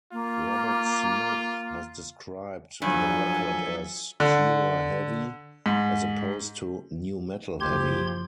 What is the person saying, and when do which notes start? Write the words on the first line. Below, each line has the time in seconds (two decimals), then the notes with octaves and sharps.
Robert Smith has described the record as "Cure heavy", as opposed to "new-metal heavy".
0.12 A#3 F4
2.82 G2 F3 F#3 A4 E5 G#5
4.20 D3
5.66 G#2
7.60 F#1 F3 G4 C6 G#6